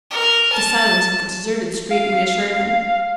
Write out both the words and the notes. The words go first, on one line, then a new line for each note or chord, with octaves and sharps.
The silence of the deserted street reassured him.
A#4
A5
F5